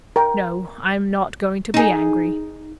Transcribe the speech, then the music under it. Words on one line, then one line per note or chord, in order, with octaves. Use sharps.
No, I am not going to be angry.
A#4 G5
D#4 G#4